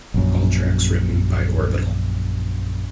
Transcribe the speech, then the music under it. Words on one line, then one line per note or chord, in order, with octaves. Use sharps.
All tracks written by Orbital.
A#1 F#2